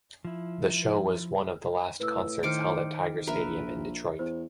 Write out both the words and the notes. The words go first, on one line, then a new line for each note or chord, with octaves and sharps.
The show was one of the last concerts held at Tiger Stadium in Detroit.
F3 E4
A2 B4 E6
D#3 C5 D6 F6 C#7 D7
A#1 A#4 B4 E5
E2 C5